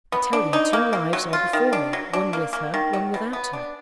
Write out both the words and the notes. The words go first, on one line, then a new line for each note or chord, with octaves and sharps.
I tell you two lives are before me; one with her, one without her.
B3
D4
D#4
A#3
A#3
F#3
F4
D#3
D4
F#3
D4
A#3
A#3
D#3
F#3
B2
B3
D4